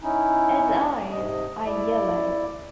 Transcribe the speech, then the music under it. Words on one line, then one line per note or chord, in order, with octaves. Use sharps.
Its eyes are yellow.
C#4 D#4 E4
G#2 C3 D#5
E4 D5